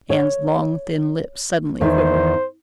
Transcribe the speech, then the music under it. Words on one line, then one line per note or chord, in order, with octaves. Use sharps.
Anne's long, thin lips suddenly quivered.
C#5
E2 D#3 C5